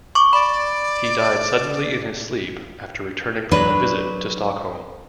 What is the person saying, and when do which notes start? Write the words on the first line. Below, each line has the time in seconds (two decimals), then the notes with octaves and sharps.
He died suddenly in his sleep after returning from a visit to Stockholm.
0.15 C#6 D6
0.33 D5 B5
3.51 F#3 D4 B4